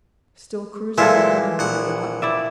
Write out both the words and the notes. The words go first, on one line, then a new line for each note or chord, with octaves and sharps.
"Still cruising around in your yacht?"
A#2 E3 G#3 F4 A4 E5
A#1 F#5
E4 D5 E5